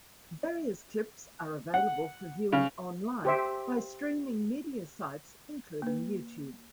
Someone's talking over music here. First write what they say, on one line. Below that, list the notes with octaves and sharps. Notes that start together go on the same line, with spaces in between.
Various clips are available for viewing online by streaming media sites, including YouTube.
F#5
C#3
G4 C5 E5
A#3 B4